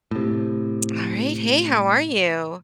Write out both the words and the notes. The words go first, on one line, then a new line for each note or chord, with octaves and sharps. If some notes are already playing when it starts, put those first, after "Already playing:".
All right. Hey, how are you?
A2 C3